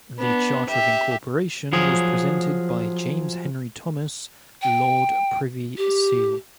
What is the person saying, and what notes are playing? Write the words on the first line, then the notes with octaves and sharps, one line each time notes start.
The charter of incorporation was presented by James Henry Thomas, Lord Privy Seal.
B3 D4
G4 E5
F3 F#3 G#4
G5
G4